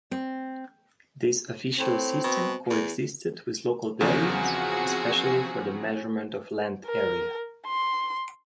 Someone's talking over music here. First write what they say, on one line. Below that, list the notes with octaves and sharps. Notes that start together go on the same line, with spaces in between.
This official system coexisted with local variants, especially for the measurement of land area.
C4
A2 C4
B2
E2
E2 C#3 F3 C4 F#4 G#4
A#4
C6